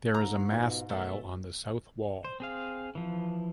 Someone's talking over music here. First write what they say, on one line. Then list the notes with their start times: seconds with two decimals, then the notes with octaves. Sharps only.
There is a mass dial on the south wall.
0.14 G1 G#2 A#5
0.51 B2 F4
0.90 B2 A3
2.25 C5
2.40 C4 G#4 F5
2.95 E3 F3